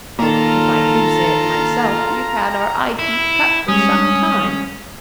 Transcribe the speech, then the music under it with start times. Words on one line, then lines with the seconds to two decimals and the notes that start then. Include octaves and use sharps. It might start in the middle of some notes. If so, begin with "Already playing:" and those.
If I do say it myself, we've had our eyeteeth cut for some time.
0.19 A#2 D#3 F4 A4 A#5
2.99 E4
3.68 G3 G#3 C#4 D#6